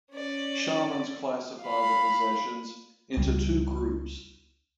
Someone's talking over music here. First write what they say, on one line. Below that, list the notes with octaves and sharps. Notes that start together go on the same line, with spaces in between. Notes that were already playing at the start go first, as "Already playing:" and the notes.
Shamans classify the possessions into two groups.
C#4 D5
F5 B5
C#2 G3